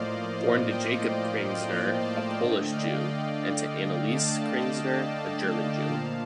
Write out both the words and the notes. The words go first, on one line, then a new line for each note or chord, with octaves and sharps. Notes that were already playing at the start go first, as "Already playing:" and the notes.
Born to Jacob Krigsner, a Polish Jew, and to Anneliese Krigsner, a German Jew.
Already playing: A2 F3 A#3 C5 D5 D#5 F5
D#5 G5
D#5 G5
F5 A5
D3 A3 D#5 G5
D5 F5
D#5 G5
F5 A5
D#5 G5
A#2 F3 A#3 F5 A5